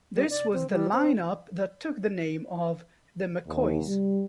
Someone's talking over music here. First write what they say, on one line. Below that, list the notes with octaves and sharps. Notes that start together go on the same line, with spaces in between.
This was the line-up that took the name of "The McCoys".
G3
D5
C4
G3
C4
D#2
G3